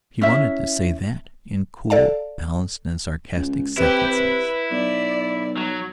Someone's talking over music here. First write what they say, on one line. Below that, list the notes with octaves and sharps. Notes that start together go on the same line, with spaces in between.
She wanted to say that in cool, balanced and sarcastic sentences.
C#4 E4 E5
A4 D5 F5 A5
C#2
C3 E4 G4 B4
B4
B1 D5
F#3